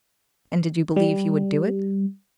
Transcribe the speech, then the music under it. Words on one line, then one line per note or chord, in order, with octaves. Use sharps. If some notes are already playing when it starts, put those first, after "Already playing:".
"And did you believe he would do it?"
G3